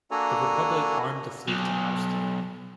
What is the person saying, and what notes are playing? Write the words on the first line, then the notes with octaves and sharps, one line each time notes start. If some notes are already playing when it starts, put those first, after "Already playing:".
The Republic armed a fleet to oust them.
A#3 D4 F#4 A4 G#5 A#5
B1